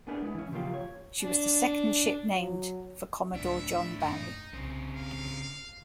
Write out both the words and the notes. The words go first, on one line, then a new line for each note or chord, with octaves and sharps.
She was the second ship named for Commodore John Barry.
B3 C#4 D4 G#4 A#4 B4
G#3 E4
E3 C#4
C#3 F3 F#3 A#3 F4 G4
C#5
D4
F#3
C#2 A2 D4 E5
F#2 D#4
C2 C#3 C4
F5